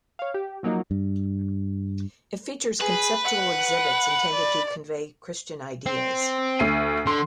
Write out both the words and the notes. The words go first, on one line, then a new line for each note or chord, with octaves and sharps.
It features conceptual exhibits intended to convey Christian ideas.
C#5 F5
G4
F3 F#3 A#3 D#4
G2
G#4 B4
F#5
D5
C4
D2 C7 D#7
D3 C6